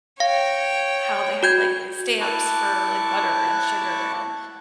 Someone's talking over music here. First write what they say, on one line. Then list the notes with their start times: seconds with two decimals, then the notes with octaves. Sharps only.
how they had, like stamps for, like butter and sugar and
0.20 C#5 F5 G5
1.43 F#4 G6 G#6
2.21 E4 A5 C#6 D6 F#6